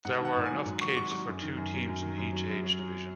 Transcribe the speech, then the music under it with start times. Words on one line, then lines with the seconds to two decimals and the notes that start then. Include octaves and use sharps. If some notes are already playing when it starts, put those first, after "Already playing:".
There were enough kids for two teams in each age division.
0.05 G#2 F#5
0.21 D#3 F#5
0.36 G#2
0.45 G#5
0.51 F#3
0.65 G#2
0.81 D#3 C#6
0.96 G#2 C#6
1.11 F#3 C#6
1.27 F#2
1.42 D#3
1.57 F#2
1.73 F#3
1.88 F#2
2.02 D#3
2.18 F#2
2.33 F#3
2.49 F#2
2.63 F#3
2.79 F#3